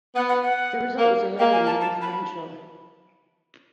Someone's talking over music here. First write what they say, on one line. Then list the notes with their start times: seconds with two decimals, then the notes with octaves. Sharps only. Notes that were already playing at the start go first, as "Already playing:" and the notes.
The result was alluring and influential.
0.15 B3 F#5
0.29 F#5
0.43 F#5
0.98 A#3
1.39 A#3 G5
1.52 G#5
1.67 A5
1.81 A5
2.02 B5